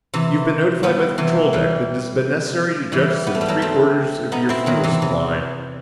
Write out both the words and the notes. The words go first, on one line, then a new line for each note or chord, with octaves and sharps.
You have been notified by the control deck that it has been necessary to jettison three quarters of your fuel supply.
C3 E3
G3 B3
C3 E3
E3 G3
E3 G3
B3
A3
G3
F#3 A3
A3 C4
B3 D#4
C4 E4
D#3 F#3
C3 E3
C3